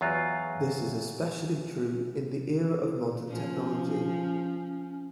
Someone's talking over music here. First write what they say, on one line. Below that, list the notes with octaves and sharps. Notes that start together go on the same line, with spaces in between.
This is especially true in the era of modern technology.
E2 F#3 F4 F#4
F3 C#4